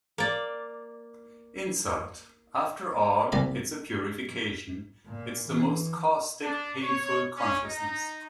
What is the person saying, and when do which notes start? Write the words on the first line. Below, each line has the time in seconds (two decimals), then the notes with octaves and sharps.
Insult - after all, it's a purification; it's the most caustic, painful consciousness!
0.18 A#3 D5
3.32 C2 D5 G#5 A#5 B5
5.08 A#2
5.50 E3
6.42 D4
6.83 C#5
7.36 C#4
7.65 D#4